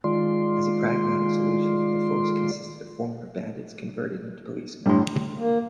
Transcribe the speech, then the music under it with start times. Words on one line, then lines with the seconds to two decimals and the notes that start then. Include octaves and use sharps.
As a pragmatic solution, the force consisted of former bandits converted into policemen.
0.04 D#3 G#3 F4 D5 C6
4.86 G1 A2 G3 C6
5.37 A#3